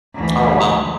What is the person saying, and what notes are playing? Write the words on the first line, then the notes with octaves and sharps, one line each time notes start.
Oh, wow.
D2 E3